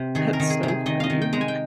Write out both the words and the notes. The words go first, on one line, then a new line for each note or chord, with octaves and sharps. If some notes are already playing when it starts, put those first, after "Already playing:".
That's so funny.
Already playing: C3
D#3 G#4
A#4
D#3
G#4
C3
G#4
D#3 D#5
D#5 F5
D#3
G5
G#3 A#5
G#5
G5